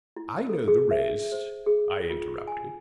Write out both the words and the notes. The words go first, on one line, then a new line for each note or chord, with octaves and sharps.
"I know the rest," I interrupted.
E4
A4
G#4
E5
C5
G#4
F4
G#5